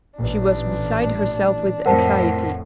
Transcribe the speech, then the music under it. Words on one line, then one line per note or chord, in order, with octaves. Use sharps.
She was beside herself with anxiety.
A1 A#2 D4
F2 A2 A#4 C5 F#5 A5